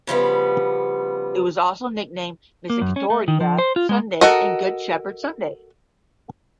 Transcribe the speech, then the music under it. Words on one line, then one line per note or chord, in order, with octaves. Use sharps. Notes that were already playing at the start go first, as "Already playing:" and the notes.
It was also nicknamed Misericordia Sunday and Good Shepherd Sunday.
C#3 F3 G3 B3
A#3
F#2
C#4
A3
D#3
F3
C5
F4
G#3
F#4 A4 A#4 D#5